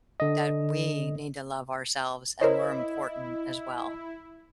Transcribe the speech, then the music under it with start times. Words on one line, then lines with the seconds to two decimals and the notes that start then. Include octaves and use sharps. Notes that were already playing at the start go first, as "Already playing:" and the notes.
that we need to love ourselves and we're important as well.
0.20 D3 D#5
2.41 E4 A#4 C5 C#5 D#5